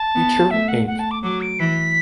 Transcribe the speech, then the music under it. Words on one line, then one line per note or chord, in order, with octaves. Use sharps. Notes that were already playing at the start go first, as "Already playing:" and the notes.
Feature Inc.
Already playing: A5
B3
A3 E5
F#5
F#5
A5
D6
F#3 D6
D7
E3 B6